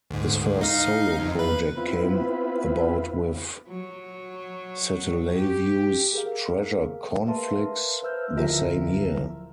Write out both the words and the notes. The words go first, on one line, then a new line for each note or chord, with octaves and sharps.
His first solo project came about with Satellaview's "Treasure Conflix" the same year.
D2 G#2
D#4 F5
F2
B4
B3 C4 E4 F4 B4
F#3
G4
G#4 A#4 F5
A#4 B4 E5 F5 A5 C6
B4 C5 E5 E6 F6 G6
D1 F3 A#4 E5